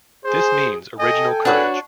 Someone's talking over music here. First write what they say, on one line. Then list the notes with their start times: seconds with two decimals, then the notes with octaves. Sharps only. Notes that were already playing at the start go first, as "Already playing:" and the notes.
This means original courage.
0.25 G#4 C5
0.99 A4 D#5 G5 G#5
1.45 D4 F#4 B4 C#5